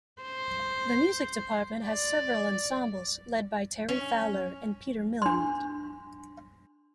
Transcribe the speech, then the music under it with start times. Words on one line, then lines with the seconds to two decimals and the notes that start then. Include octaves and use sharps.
The music department has several ensembles led by Teri Fowler, and Peter Milne.
0.22 C5
1.86 D5
3.89 C#4
5.22 D4 C6